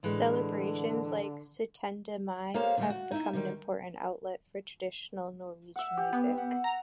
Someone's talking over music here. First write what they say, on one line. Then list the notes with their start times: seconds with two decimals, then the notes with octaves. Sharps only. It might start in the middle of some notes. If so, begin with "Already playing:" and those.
Celebrations like Syttende Mai have become an important outlet for traditional Norwegian music.
0.03 A2 D3 E3 G#3
2.54 A#3 G4 A4 C5 C#5 F5
2.78 D3 G3 A3
2.90 F#4
3.11 D#4 E4 E5
3.33 D3 D#3 G3
5.76 E5 F#5
5.97 G4
6.13 B3
6.37 F#5
6.64 A#5